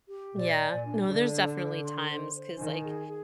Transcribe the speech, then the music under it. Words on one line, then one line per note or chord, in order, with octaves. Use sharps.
Yeah. No, there's definitely times 'cause like,
G4
A#2 D5
G#5
A#2
D4
D3 D5
D4
D4
C6
C5
C5
D#3 G#5
G#4
G#4